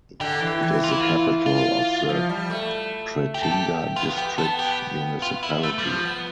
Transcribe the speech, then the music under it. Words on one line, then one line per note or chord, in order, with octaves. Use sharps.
It is the capital of the Kretinga district municipality.
D3 G4
E3
E3
F4
E4
F4
F4
F3
G3
A3
G4
A4
G4
B3 F4
B3 G4
B3 A4
G4
F4
E4
A3
G3
F3
B3